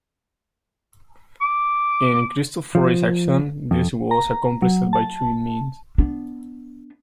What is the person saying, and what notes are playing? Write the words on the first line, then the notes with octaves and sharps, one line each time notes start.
In Cristofori's action, this was accomplished by two means.
D6
F3
F2
A#5
F#3
A5
B3 D4